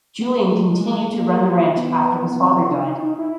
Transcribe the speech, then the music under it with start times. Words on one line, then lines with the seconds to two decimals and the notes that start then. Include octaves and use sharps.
Julian continued to run the ranch after his father died.
0.21 B3
0.52 A3
0.68 G#3
1.14 A#3
1.77 B3
2.31 B3
2.40 C4
2.70 D4
2.86 D#4
3.03 D#4
3.18 E4